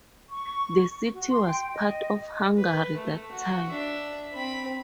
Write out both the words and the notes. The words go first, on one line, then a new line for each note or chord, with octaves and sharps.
The city was part of Hungary that time.
C#6
F#4
C6
G5
D#5
B4
A3
F#4
D4 E5
C4 B5